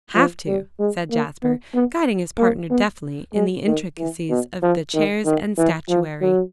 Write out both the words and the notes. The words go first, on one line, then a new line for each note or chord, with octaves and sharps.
"Have to," said Jasper, guiding his partner deftly in the intricacies of the chairs and statuary.
F3
G3
G#3
A#3
B3
B3
A#3
B3
G#3
D#3
E3
B2
F3
D#3
D#3
E3
F3
F#3